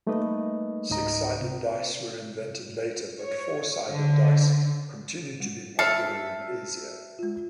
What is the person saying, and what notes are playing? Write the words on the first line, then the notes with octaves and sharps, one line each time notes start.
Six-sided dice were invented later but four-sided dice continued to be popular in Asia.
G3 A3 A#3 D#4 B4 D#5
C#2 G#2 D#4 D#5 A#5
C3
C#5
D3
G3 G#3
A4 E5 F6 C7
F#4
G#3 F4